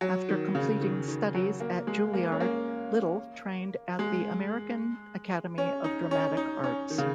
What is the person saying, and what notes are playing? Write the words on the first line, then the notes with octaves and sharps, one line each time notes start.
After completing studies at Juilliard, Little trained at the American Academy of Dramatic Arts.
F#3
D#3
C#3
D#3
D#3
F#3
A#3
G#3
A#3
C#4
A#3
G#3
C#4
D#4
C#4
D#4
C#4
D#3
C#3